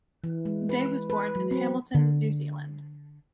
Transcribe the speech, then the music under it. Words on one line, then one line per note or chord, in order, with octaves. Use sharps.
Day was born in Hamilton, New Zealand.
E3
G#3
B4
B4
F#3
C4
D3